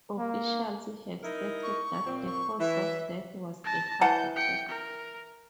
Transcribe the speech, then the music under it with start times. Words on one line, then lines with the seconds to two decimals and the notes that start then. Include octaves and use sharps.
Officials have stated that the cause of death was a heart attack.
0.18 A#3
1.23 D#4 E4 A#4
1.63 C#6
2.05 A#2 C4
2.27 C#6
2.60 E3 E5
3.64 A5 A#6
4.01 E3 F#5 A5 G6
4.36 G5 C#7
4.68 A#4